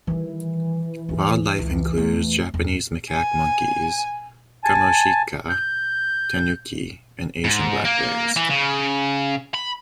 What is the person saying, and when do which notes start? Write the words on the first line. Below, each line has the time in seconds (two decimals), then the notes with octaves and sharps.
Wildlife includes Japanese macaque monkeys, "kamoshika," "tanuki," and Asian black bears.
0.07 D#3 E3 G3
1.09 D2
1.59 C#2
1.97 E2 A3
2.54 E2
3.11 G#5
4.64 G#5 A5
5.49 G6
7.44 G#2
7.85 A#3
8.36 E3
8.50 C#3
9.54 B5